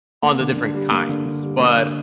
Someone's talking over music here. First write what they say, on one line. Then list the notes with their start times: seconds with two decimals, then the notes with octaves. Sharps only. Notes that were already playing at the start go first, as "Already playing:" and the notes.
on the different kinds, but
0.23 A#3
0.40 D3
0.57 D3
0.74 G3
0.91 A#3
1.09 D3
1.26 D3
1.43 G3
1.59 A#3
1.77 D3